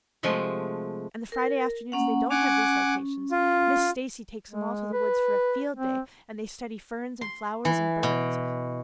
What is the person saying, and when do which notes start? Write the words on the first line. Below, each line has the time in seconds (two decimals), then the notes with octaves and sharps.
And the Friday afternoons they don't have recitations Miss Stacy takes them all to the woods for a 'field' day and they study ferns and flowers and birds.
0.23 C3 F3 G#3 A3
1.32 A#4
1.92 A#3 C#4 F#5
2.30 C#4 F#5 G#5 D6
3.31 F4
4.50 G#3
4.93 B4
5.76 C4
7.21 C6
7.65 E3
8.03 B2